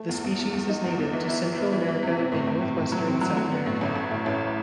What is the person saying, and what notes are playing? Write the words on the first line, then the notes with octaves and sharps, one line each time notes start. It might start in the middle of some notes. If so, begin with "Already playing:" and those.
The species is native to Central America and northwestern South America.
Already playing: A3
E2
E2
E2
E2
D#4
E2
E2
E3
E4
E3
B3
E3
E3
C3
C3
A2
A2
A2
A2
F#3
C4
F#3
F#3
B3
A2
A1
A1
A2
A1